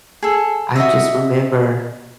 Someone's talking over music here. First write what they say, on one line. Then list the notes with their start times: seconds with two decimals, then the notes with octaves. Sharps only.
I just remember
0.23 G#4 A4
0.76 F#4 D#5 E5